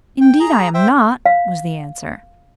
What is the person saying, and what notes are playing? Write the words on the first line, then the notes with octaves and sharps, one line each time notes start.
"Indeed I am not," was the answer.
G5
G#4 A#5
C5 E5 G5
F5